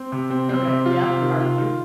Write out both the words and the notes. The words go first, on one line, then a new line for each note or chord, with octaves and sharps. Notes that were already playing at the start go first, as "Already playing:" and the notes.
Okay. Yep. Barbecue.
Already playing: C4
C3
C4
C4
C3
F4
C3
D#3
F4
D#3